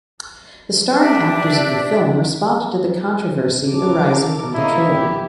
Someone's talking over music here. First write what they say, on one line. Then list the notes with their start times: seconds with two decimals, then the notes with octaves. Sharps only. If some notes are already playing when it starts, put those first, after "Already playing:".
The starring actors of the film responded to the controversy arising from the trailer.
0.99 D4 G4 D5 E5
3.70 A4 A#4 D6
4.55 A#3 E4 D#5
4.90 B3 G4